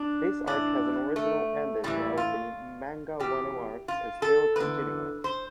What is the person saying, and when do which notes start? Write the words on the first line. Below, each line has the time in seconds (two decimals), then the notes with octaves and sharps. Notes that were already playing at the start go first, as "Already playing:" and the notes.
This arc has an original ending while the manga Wano arc is still continuing.
Already playing: D4
0.47 A2 E3 D4
1.16 A3
1.84 A2 E3 G3
2.17 F4
3.20 E2 B2 G4
3.88 F4
4.22 A4
4.56 E2 D3 B4
5.24 C5